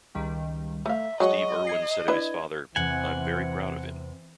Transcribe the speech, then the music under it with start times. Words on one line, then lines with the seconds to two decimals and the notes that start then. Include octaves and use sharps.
Steve Irwin said of his father: I'm very proud of him.
0.15 C#2 D#3 G3
0.86 A3 E5 F5
1.20 F#3 G#3 D#5 F#5 C#6
1.67 G#6 C7
2.08 D4 E4 B4 G#6
2.76 E2 C3 E3 C4 F#5 G#5